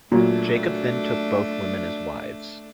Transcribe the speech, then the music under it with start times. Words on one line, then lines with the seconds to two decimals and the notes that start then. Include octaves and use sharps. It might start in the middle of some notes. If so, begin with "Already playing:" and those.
Jacob then took both women as wives.
0.12 A#2 F#3 A3 D4